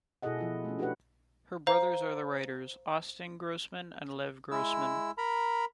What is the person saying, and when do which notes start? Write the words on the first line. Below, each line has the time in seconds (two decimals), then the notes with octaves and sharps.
Her brothers are the writers Austin Grossman and Lev Grossman.
0.22 B2 E4 G#4 A4 D#5 F#5
0.39 F3 E4 F4
0.65 A3 C#4
0.79 D4 F#4 G4 A4 B4 F#5
1.67 C5 F5 A#5
4.51 G#3 E4 E6
5.18 A#4 A#5 B5